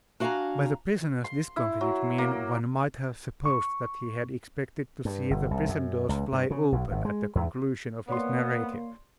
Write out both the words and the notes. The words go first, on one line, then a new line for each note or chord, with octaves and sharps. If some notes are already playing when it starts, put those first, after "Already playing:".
By the prisoner's discomfited mien one might have supposed that he had expected to see the prison doors fly open at the conclusion of his narrative.
D4 F#4 F5 F#5 G#5 A#5
C6
E4
F#3
A#3
C#6
G2
G1
C2
F#2
C#2
G2
C#3
B1
G#1
G#3
E2
A#3 B3 C#5 D5 C6